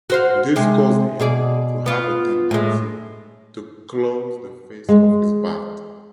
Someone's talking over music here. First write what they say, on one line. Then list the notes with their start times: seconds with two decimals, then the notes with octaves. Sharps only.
This caused him to have a tendency to close the face of his bat.
0.10 F#4 C5 F5
0.56 C3 G#3
1.20 B2 G#4 D5
1.86 B3 F4
2.51 A2 G#3
4.89 G#3